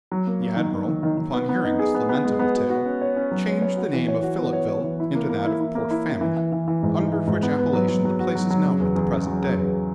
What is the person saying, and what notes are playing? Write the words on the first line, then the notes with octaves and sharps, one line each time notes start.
The Admiral, upon hearing this lamentable tale, changed the name of Philippeville into that of Port Famine, under which appellation the place is known at the present day.
F#3
A#3
A#3
D#3
A#3
D#3
D#3
D#3
B3
B3
D#4
G#4
B3
B3
G#3
B3
F#4
F#4
C#4
C#5
C#4
F#3
C#5
C#5
F#4
E3
C#5
F#4
B3
C#5
C#5
E3
E4
A#3
A#3
E4
E4
A#3
E4
E4
E3
E3
E3
E3
G#2
D#4
E3
G#2
B3
B3
F#3
F#3
F#3
F#4
F#3
F#3
C#3
E2
E2
C#3
F#3
F#3
E2